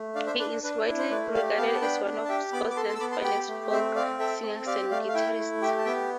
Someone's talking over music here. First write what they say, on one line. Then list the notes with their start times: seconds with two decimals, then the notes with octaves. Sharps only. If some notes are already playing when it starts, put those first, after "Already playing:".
He is widely regarded as one of Scotland's finest folk singers and guitarists.
Already playing: A3
0.15 D4 D5 F5
0.26 C5 E5
0.39 D4 B4 D5
0.63 D4 B4
0.87 E4
0.99 C5
1.10 A3 B4 D5
1.34 G4 D5 F5
1.57 B3 F5 A5
1.75 A5
1.82 D4 G5 B5
2.05 D4
2.25 A5
2.29 G4 E5 G5
2.53 B3 B5 D6
2.71 D6
2.76 A4 A5 C6
2.89 A5 C6
2.95 E6
3.00 B3 B5 D6
3.12 A5 C6
3.24 G4 G5 B5
3.48 A3
3.71 C4 C5 E5
3.95 C4 D5 F5
4.19 A4 E5 G5
4.43 C4
4.66 G4 D5 F5
4.91 A3 D5 F5
5.08 F5
5.14 E4 E5 G5
5.38 A3
5.61 G4 E5 G5
5.78 A5
5.85 B3 E5 G5